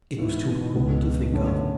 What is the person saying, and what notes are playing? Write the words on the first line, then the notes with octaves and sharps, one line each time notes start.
It was too horrible to think of.
G#2 E3 B3 E4
C#2 B2 G#3 B3
F#2 D3 A3 C#4